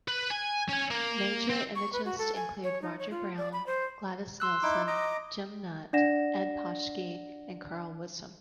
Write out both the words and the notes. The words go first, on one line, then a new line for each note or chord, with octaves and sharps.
Major imagists include Roger Brown, Gladys Nilsson, Jim Nutt, Ed Paschke, and Karl Wirsum.
B4
G#5
C#4 G#5
A#3
C4
C#6
B4
F#4
A4
G#5
C#5
D#4
C#5
F4
D5
B5
C5
C6 E6 F#6
D#4 E4 D6
D#5 A#5 D6
D4 D5 F#5 A#6 E7